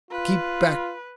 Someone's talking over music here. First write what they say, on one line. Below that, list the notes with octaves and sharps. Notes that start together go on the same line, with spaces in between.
'Keep back!
F4 B4